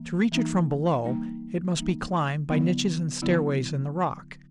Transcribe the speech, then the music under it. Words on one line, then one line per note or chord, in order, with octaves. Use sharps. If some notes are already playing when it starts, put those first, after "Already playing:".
To reach it from below, it must be climbed by niches and stairways in the rock.
Already playing: E3 G3 A#3
E3 G3 A#3 D#4
E3 G3 A#3 D#4
E3 G3 A#3 D#4
D3 F#3 B3 E4
D3 F#3 B3 E4